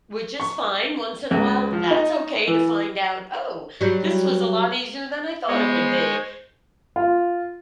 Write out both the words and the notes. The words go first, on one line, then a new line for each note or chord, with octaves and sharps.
which is fine. Once in a while, that's okay to find out, "Oh, this was a lot easier than I thought it would be.
C#6
C#2
F3
D#4
E3
F#3 G3
G#3 B3 G#4 C5 C#5
F4